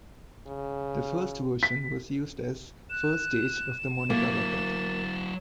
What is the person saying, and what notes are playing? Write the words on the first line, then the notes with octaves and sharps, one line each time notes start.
The first version was used as first stage of the Monica rocket.
C#3
B6
F#6 E7
F#3 A#3 E4 A6